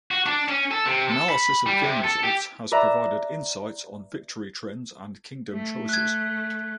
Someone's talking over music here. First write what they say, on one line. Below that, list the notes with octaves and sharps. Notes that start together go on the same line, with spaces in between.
Analysis of game results has provided insights on victory trends and kingdom choices.
F#4
D4
C#4
A4
C3
A4
B5
G3
C3
A4
G4
B4 D5 E5 A#5
A3
F#6 G#6